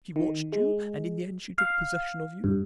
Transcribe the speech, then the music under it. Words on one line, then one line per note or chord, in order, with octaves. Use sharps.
She watched you, and in the end she took possession of you?
D#3
G#3
F5
G2